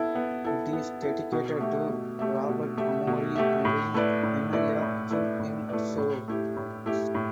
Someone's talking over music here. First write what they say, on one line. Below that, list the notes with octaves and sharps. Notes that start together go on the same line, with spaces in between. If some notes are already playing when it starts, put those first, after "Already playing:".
It is dedicated to Robert Amory and in memory of Jung Ying Tsao.
Already playing: B3 E4 A4
B3
E4 A4
B3
E4 A4
B2
A3 G4 E5
B2
A3 G4 E5
B2
A3 G4 E5
B2
A3 G4 E5
A2
A3 E4 B4 D5
A2
A3 E4 B4 D5
A2
A3 E4 B4 D5
A2
A3 E4 B4 D5
A2
A3 E4 G4
A2
A3 E4 G4
A2